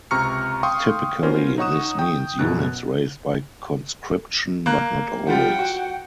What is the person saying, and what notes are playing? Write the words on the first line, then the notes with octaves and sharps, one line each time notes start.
Typically this means units raised by conscription, but not always.
C#2 C3 A#5 C#6 F6 C#7
F5 G5 C6 C#6 D#6
B3 C#4 F4 A#4 C5
D#4 C#5 F#5 C#6 D#6 E7
G5 D#6
F#2 B2 F#6
A#3 F#6
F3 G3 F4 F#5 G5
F#4